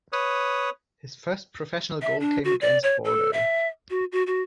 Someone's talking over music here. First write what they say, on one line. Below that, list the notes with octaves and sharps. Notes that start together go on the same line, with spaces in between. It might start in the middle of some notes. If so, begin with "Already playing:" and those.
His first professional goal came against Bordeaux.
B4 C#5 D#6
E5
D4
F#4
D5
C#5
A4
E5
F#4
F#4
F#4